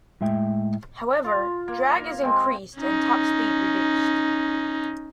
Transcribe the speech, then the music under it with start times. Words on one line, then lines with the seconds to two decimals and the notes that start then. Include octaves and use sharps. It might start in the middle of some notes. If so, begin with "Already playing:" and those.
However, drag is increased and top speed reduced.
0.21 A2 G#3 E5 G5
1.24 F4
1.68 A#3
1.95 A#4 F5
2.23 G#3 C4
2.78 C#4 D#4